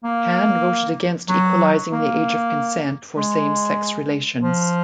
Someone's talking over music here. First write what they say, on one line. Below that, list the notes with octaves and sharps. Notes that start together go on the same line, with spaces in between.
Cann voted against equalising the age of consent for same-sex relations.
A#3
F#3
A#3
G#3
F3